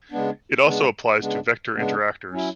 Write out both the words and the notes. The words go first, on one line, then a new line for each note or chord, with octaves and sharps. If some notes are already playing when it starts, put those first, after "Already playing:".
It also applies to vector interactors.
C#3 G#3 B3 D4
C#3 G#3 B3 D4
C#3 G#3 B3 D4
C#3 G#3 B3 D4
F#3 C#4 E4